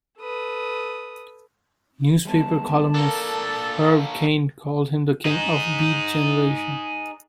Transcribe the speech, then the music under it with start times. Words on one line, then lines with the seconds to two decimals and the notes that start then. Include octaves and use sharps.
Newspaper columnist Herb Caen called him the king of the Beat Generation.
0.20 A4 B4 D#6
2.25 G3 G#3 B3 A5
2.94 A#3 D4 A4 A#4
5.25 D#4 G#4